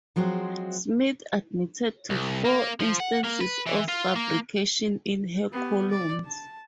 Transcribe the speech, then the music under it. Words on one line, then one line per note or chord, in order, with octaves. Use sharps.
Smith admitted to four instances of fabrications in her columns.
F3 F#3 G#3 C4 F#4
C2
A#3
F3
F#5
A#3
B4
E3
F4
A#3
B3 G4
D5
A5